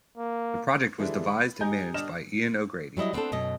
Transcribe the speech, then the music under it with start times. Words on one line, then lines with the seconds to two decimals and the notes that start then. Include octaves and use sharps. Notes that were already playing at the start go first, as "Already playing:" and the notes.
The project was devised and managed by Ian O'Grady.
0.18 A#3
0.98 D3 E3 G3 G#3 D4 E4
1.28 B5
1.61 G4 D#5 G#5 A#5 G6
1.94 G3 D4 G4 D#5 F6 E7
2.97 F#3 G3 E4 D#5
3.14 B3 C4 D4 A4
3.32 F#2 B2 D#5